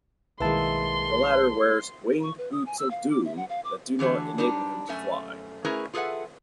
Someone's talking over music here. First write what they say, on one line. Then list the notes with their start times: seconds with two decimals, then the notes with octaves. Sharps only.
The latter wears "winged boots of doom" that do not enable him to fly.
0.40 B1 D#3 G#3 A#3 E4 B4 A5 C6
2.10 A#4
2.23 C#6
2.38 B4
2.52 D#6
2.66 G#5
2.79 E6
2.91 F5
3.11 D6
3.25 E5
3.37 F#5
3.49 F5
3.64 D6
3.99 D3 E3 A3 F#4 G#4
4.38 G3 D4 D#4 G4
4.89 F#2 A3 C#4 E5 G#5
5.65 A3 C#4 E4 G#4 A#4 B4
5.94 F4 G#4 A4 B4 E5 F#5